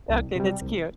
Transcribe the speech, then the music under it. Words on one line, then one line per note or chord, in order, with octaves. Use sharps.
Okay. That's cute.
C2
C3 G3
C2